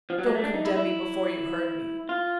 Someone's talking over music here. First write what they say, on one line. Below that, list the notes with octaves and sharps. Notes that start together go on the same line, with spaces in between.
Don't condemn me before you've heard me.
F3
F#3
G#3
A3
D4
D#4
E4
E4
F4